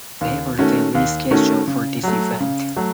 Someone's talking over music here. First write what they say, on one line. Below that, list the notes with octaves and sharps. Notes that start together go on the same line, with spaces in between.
They were then rescheduled for this event.
D#2
D#3 A3 C#4 F#4
D#2
D#3 A3 C#4 F#4
C#3
F#3 A3
C#3
F#3 A3